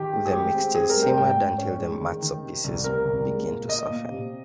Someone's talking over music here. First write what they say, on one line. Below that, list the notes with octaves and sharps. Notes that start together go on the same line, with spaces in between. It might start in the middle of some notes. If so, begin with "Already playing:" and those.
The mixture is simmered until the matzo pieces begin to soften.
Already playing: D#3 G4
G#3
G#4
G#3 G4
C4
C4 G#4
A#4
G3
G5
G#2 G5
G#2
C#4
G#3
D#3
D#3
C3
C2
C3 A#4
C2
G#3
A#2
A#2 D#5
A#2
C3